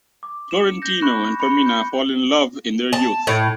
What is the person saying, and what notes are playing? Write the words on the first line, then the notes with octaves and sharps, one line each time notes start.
Florentino and Fermina fall in love in their youth.
D6
C#7 E7
G6 A#6
B5 C#6 F#6 E7
B5 C#7 G7
G6
A5
A2